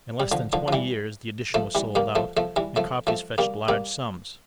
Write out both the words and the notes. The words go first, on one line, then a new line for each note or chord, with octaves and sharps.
In less than twenty years the edition was sold out, and copies fetched large sums.
G3
D3 F3
D3 F3
F3
E3 G3
F3 A3
E3 G3
G3 A#3
F3 A3
F3 A3
E3 G3
F3 A3
F3 A3
G3 A#3
G3 A#3